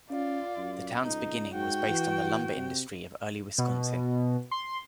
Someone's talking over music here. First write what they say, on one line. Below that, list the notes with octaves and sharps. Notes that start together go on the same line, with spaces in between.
The town's beginning was based on the lumber industry of early Wisconsin.
C#4 F4 D5
F#2
C#2 D#4
G#2 F#4 G5
E3
C3
B2
C6